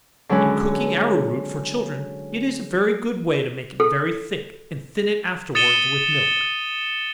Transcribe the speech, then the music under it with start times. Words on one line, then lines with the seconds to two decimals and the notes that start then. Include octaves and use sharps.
In cooking arrow-root for children, it is a very good way to make it very thick, and thin it afterwards with milk.
0.29 D3 F#3 G#3 C#4 B4
3.80 A4
5.55 D#6 A6 C#7 D#7 E7 G7